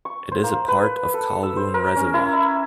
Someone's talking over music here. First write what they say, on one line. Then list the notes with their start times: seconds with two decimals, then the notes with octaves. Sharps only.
It is a part of Kowloon Reservoir.
0.05 C#6
0.32 C5
0.44 A#3
0.68 B4
1.14 A4
1.43 E6
1.57 C5
1.74 A#4
1.96 C#4
2.14 E4
2.33 E5